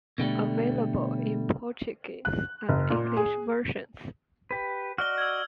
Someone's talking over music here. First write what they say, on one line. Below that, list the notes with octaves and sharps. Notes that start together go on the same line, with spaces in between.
Available in Portuguese and English versions.
B2 D3 G3 A3
F#6
F#1
A#2
G#4
G4 B4
F#4 D5 D#5 F6 G7
E6 F6 G#6